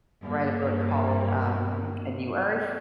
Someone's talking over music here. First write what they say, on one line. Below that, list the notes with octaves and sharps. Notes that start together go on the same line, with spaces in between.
write a book called, um, A New Earth,
G2 A#3